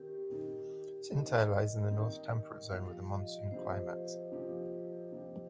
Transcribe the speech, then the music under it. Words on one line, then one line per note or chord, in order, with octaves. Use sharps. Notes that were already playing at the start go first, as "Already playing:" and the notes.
Xintai lies in the north temperate zone with a monsoon climate.
Already playing: D#3 C4 G4
D#3 C4 D#4
D#3 C4 D#4 D#5
D#3 C4 D#4
C3 F3 C4 G4 F5
D#5
C3 F3 C4 G4 C5
C3 F3 C4 G4
C3 F3 C4 G4